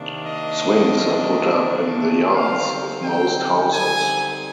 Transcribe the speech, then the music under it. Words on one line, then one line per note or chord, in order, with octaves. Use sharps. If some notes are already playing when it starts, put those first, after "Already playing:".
Swings are put up in the yards of most houses.
Already playing: C3 D#3 A#3 D4
D#5
D3 G3 C4 D#4 F5
G5
G#5